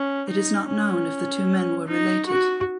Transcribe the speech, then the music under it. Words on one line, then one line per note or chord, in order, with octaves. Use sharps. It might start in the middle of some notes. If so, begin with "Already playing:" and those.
It is not known if the two men were related.
Already playing: C#4
D#4
C#4
D#4
F#4